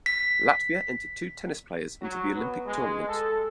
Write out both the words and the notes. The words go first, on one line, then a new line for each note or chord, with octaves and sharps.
Latvia entered two tennis players into the Olympic tournament.
B6
F#3
B3
G#3
A4